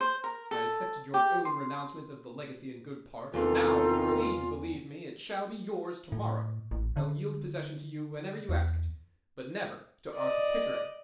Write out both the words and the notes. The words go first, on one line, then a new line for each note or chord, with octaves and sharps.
I had accepted your own renouncement of the legacy in good part, but now, please believe me, it shall be yours to-morrow. I’ll yield possession to you whenever you ask it,—but never to Arthur Pickering!
C5
A#4
A4
G4
C6
E2 C3 D#3 E3 F4 A4
A2
A1
D3
E2
D5 D#5